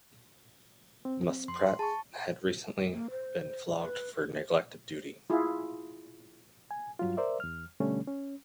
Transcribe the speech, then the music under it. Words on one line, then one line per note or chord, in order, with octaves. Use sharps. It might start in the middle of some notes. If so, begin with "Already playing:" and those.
Muspratt had recently been flogged for neglect of duty.
C4
F2 C6
G#4 A5 C#6
A#3
C5
B4
E4 F4 G#4
G#5
G2 F#3 F4
A#4 C5 D5 E5
E2 F6
B2 D3 G3 A3 C#4
C#4